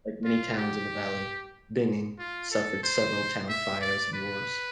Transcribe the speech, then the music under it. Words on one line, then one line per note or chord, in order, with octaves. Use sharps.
Like many towns in the valley, Bingen suffered several town fires and wars.
F4
G4
F4
A4
C5
E5
D5
B4